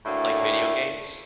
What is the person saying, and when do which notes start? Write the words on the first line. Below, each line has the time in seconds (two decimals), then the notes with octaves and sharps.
Like video games?
0.05 D2 A2 D3 A#3 E5